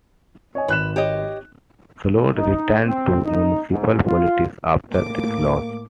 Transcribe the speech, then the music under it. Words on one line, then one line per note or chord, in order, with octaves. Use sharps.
Sloat returned to municipal politics after this loss.
C#5 D#5 G#5
G#1 B4 F#6 E7
G4 C#5 D#5
D#4
C4
D#4
G#2
F4
A2 A#3 D6